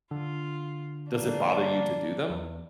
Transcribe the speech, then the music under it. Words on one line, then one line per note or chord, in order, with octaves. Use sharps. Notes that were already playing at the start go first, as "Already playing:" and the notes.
does it bother you to do them?
D3 F4
A#3 D4
E2